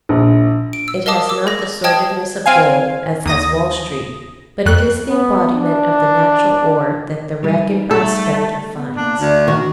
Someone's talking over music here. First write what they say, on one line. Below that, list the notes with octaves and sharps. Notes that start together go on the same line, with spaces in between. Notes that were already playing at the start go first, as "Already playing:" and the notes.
It has not the sordidness of gold, as has Wall Street, but it is the embodiment of the natural ore that the ragged prospector finds.
A#1
D7
E6
A#4 D#5 F5 A5 D6 D#6
D6 E6
G#4 A#6
D#5 G5 A5 D#6 G#6
C4 F5 G#5
D#2 D#6 A#6
F2 F#6
B3
D4
G3 D#4
A3 A4
B3
A#3 D4
D2 D5
D#3 F#4